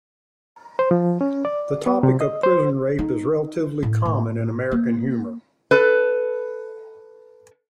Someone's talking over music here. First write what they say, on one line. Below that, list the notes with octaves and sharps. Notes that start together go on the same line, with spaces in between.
The topic of prison rape is relatively common in American humor.
C5
F3
C#4
D5
B3
C3
D#5
C5
D#4
A2
A2
A#3
A4 B4